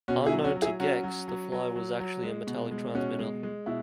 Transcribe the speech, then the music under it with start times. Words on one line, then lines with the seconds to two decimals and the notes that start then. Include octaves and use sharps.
Unknown to Gex, the "fly" was actually a metallic transmitter.
0.08 B2 C#4 F#4
0.26 E4 G#4
0.32 F#3
0.44 C#4 F#4
0.56 F#3
0.62 E4 G#4
0.80 F#3 C#4 F#4
1.03 F#3
1.28 F#3
1.52 F#3
1.76 F#3
2.00 F#3
2.23 G#3
2.47 B2
2.71 G#3
2.95 B2 C#4 F#4
3.19 G#3
3.43 G#3
3.66 B2 E4